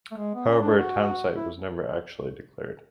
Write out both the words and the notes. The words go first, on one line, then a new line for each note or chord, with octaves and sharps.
However, a townsite was never actually declared.
A3
G#3
B3
C#4
D4
F#4
E4